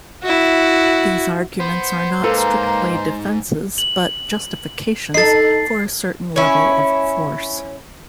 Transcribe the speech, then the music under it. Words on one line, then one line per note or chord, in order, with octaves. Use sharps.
These arguments are not strictly defences but justifications for a certain level of force.
E4 F#4
B3 C5
G#2 A#3 A4 B4 A#5
F#7
D#4 A4 A6 C7
C#4 E4